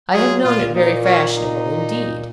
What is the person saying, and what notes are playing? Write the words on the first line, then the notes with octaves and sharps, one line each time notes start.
I have known it very fashionable indeed.
F#3 F4 G#4
A#2 F4
A#2 D#4
C#4
D#4